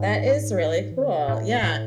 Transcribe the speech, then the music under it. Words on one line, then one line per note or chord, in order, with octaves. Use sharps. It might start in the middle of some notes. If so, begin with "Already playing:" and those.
That is really cool, yeah.
Already playing: G#2
E3
D3
C#3
B2
A2
A2